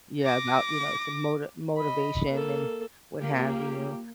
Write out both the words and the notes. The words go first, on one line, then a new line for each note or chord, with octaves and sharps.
Yeah, about, you know, some moti motivation and what have you,
D6 A#6
D#5 B5
A#3 A4
G3 A#3 F4 G4